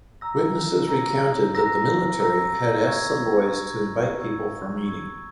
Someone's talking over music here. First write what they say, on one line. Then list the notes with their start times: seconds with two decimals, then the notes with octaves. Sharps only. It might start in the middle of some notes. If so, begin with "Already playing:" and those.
Witnesses recounted that the military had asked some boys to invite people for meeting.
0.21 A#5 E6 A#6
0.87 A#5 E6 A#6
1.55 A#5 E6 A#6
2.20 A#5 E6 A#6
2.87 C#6 E6 G#6
3.54 C#6 E6 G#6
4.20 C#6 E6 G#6
4.86 C#6 E6 G#6